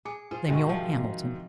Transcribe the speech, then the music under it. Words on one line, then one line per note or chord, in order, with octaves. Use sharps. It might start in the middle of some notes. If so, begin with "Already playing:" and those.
Lemuel Hamilton.
G#4 D6 C#7
F4 G#4 C5
G#2 C3 D#3 F#3 G#3 F#4
C3 F3